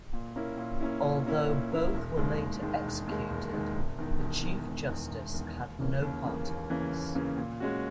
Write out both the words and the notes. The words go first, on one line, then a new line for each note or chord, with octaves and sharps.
Although both were later executed, the chief justice had no part in this.
A#2
A#3 C#4 E4
A#2
A#3 C#4 E4
A#2
A#3 C#4 E4
A#2
A#3 C#4 E4
E1
D#2 D#3 G#3
E1
D#2 D#3 G#3
E1
D#2 D#3 G#3
E1
D#2 D#3 G#3
E1
E2 D#3
E1
E2 D#3
E1
E2 D#3
E1
E2 D#3
D#2
C#3 E3 A#3 C#4
D#2
C#3 E3 A#3 C#4
D#2
C#3 E3 A#3 C#4
D#2
C#3 E3 A#3 C#4
A#2
G#3 C#4 F#4